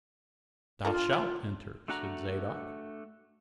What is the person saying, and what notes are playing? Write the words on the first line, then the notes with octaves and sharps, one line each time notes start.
"Thou shalt enter," said Zadok.
D4 F4 A4 A#4
E4
A3 D4 F#4 F#5 A#5